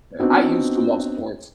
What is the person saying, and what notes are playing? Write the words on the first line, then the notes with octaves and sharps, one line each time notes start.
Yeah, I used to love sports.
B3 C4 D4 D#4 F#4